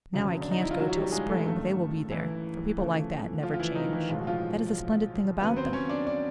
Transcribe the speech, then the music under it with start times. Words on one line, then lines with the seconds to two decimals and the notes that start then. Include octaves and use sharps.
Now I can't go till spring, but they will be there, for people like that never change . . . that is the splendid thing about them.
0.13 E1 D2 C#3 F#3
0.42 D4
0.51 D#4
0.60 E4
0.71 F4
0.79 F#3 F#4
0.89 F#4
0.95 G3 G4
1.12 G#3 G#4
1.29 A3 A4
1.45 A1 G2 D#3 A3 A4
2.11 E3 E4
2.78 C#2 C#3 F3 A3
3.43 F3 F4
3.54 F4
3.60 E3 E4
3.75 D#3 D#4
3.93 E3 E4
4.09 B1 A2 F3 G#3 F4
4.18 F#4
4.27 F3 F4
5.41 D#2 C#3 F#3 B3 B4
5.56 C4 C5
5.73 C#4 C#5
5.89 D4 D5
6.07 D4 D5